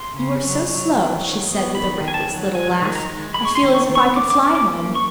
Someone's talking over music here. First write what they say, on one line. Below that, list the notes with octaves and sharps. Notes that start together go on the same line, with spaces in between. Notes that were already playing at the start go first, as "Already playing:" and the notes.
"You are so slow," she said with a reckless little laugh; "I feel as if I could fly home."
Already playing: C6
C#3
F#3
F#3
D#3
F#3
B3
D#3 B5
D#3
G#5
A5
F#3
G#3 G#5
D#3
A#5
G#3
G#3 B5
C#6
C6
D#3
C#6
D#3
C#6
D#3 D6
D6
C#4 D6
D6
A#3
C#6